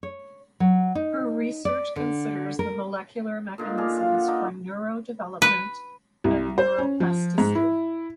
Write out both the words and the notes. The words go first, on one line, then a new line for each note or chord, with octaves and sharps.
Her research considers the molecular mechanisms for neurodevelopment and neuroplasticity.
C#5
F#3
D#4
D5
D3
A#4
A#2 D3 D#4
D4 G#4 A#4
F4
F#5
D4 D#4
B4
C2
C5
C#4
F3
G#2
E4